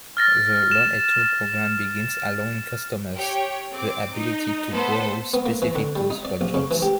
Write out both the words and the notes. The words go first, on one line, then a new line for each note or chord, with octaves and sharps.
The Loan-A-Tool program begins allowing customers the ability to borrow specific tools for jobs.
F6 A6 A#6
E7
G4 C#5 G5
C4 D6
D#4
A3 B3 A4 C5
B3
A#3
E3
D3
G3
D#4
D5
A#1
C#3
E3
G4